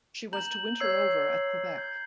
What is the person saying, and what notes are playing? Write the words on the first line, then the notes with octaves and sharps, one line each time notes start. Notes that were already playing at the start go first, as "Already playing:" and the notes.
She was to winter over at Quebec.
A#5 G6 F#7
C#5 E6 G#6 C7
G6